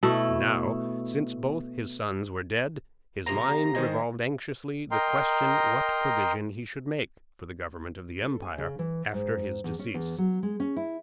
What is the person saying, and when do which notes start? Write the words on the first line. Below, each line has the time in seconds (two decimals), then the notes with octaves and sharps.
And now, since both his sons were dead, his mind revolved anxiously the question what provision he should make for the government of the empire after his decease.
0.03 B2 A3 E4
3.26 C3 F3 A#3 A#5
3.75 D#3 G#3 C5 A#6
4.91 A#4 D#5 G5 A#5 C6
8.22 A4
8.42 G#5
8.58 C#3
8.79 E3
9.14 G#2
9.64 E2
9.79 C#4
9.94 E2
10.18 F#3
10.43 G#3
10.60 C#4
10.76 E4